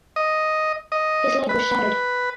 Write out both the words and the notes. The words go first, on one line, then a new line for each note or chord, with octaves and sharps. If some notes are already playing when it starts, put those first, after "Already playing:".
His leg was shattered.
D#5
D#5
B4